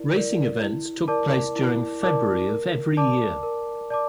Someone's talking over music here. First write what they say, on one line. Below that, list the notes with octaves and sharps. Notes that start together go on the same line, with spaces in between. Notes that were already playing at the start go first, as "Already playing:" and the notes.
Racing events took place during February of every year.
Already playing: E4 A#4 D5
A#4 D5
E4
A#4 D5 A5 D6
E4
A#4 D5 A5 D6
A#4
D5 A5 D6
A#4
D5 A5 D6